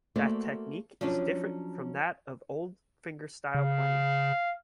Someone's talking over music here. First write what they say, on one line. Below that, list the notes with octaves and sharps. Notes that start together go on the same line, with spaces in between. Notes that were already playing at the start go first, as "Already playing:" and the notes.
The technique is different from that of old fingerstyle playing.
A3 A#3 F#4 C5 D5
F3 F#3 C#4 D4 C#5 A5
C#3 F5